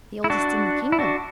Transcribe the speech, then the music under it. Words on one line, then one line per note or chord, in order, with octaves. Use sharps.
"The oldest in the kingdom."
E4
D4 F#4
E4
D4 F#4